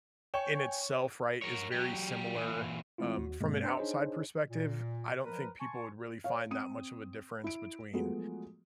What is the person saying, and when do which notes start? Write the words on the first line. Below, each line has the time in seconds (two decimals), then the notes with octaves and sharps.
in itself, right, is very similar, um, from an outside perspective, I don't think people would really find that much of a difference between
0.34 C#5 G5 G#5 C#6 E7
1.42 A#4 C#5
1.72 F#3 G4
2.35 A#2 E3
2.98 E3 G#3 A3 C4 E4 F4
3.17 D#2 F#4
3.41 G2 B2 G#3 A#3 C4
3.64 D4 B4 C5 C6 E6
3.77 D4 D#4 G#4 C5 C#5 D#5
4.51 A#2
5.24 F3 A#4 B4
5.60 G#5 A5 C6 C#6
6.24 C#5 F5
6.51 C4 D#6 D#7
7.44 E4 D7
7.93 F3 F#3 G#3 A3 B3